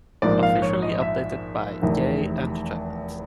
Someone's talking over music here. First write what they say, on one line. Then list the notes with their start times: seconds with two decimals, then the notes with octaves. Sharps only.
Officially updated by J Entertainment.
0.22 A#1 G#2 F3 A#3 D5
0.43 F5
0.62 C#5
0.82 D#5
1.02 E5
1.82 F1 E2 C3 D#3